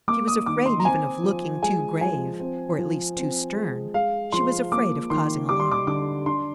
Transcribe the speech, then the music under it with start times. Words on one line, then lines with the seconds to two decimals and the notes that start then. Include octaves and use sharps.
She was afraid even of looking too grave, or at least too stern; she was afraid of causing alarm.
0.08 A#3 D6
0.27 D#6
0.46 D#3 D6
0.66 C6
0.80 A#5
0.85 C4 G#5
1.24 F3
1.62 G#3 G#5
2.01 F3 G#5
2.40 C4
2.78 F3
3.17 C4
3.56 G#3
3.94 G#3 F5
4.32 F3 C6
4.72 A#3 D6
5.10 D#3 C6
5.49 G3 D6
5.60 C6
5.72 D6
5.87 D3 D6
6.26 D4 C6